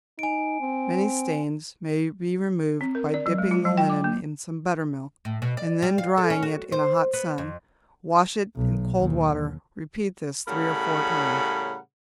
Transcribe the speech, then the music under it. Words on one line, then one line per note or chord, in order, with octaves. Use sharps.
Many stains may be removed by dipping the linen in some buttermilk, and then drying it in a hot sun; wash it in cold water; repeat this three or four times.
D#4 G#5 D7
C4
C4
A#4
D5
F#3
G#3
F4
F#3
G5
D6
A#3
A2
B2
D5
G3
F5
A4
C#4
F#4
C5
B3
F2
B1
D#2
A2 C#3 G3 A#4 F#5 B5